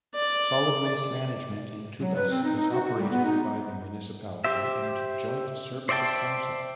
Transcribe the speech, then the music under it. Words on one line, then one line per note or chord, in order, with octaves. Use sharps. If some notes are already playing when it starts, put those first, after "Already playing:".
Solid waste management in Tubas is operated by the municipality and Joint Services Council.
D5
F#3
B4
C4
D#4
D#4
F#4
F#4
G3
B3
D#4
G4 C5 E5
C5 D5 E5 G5 A5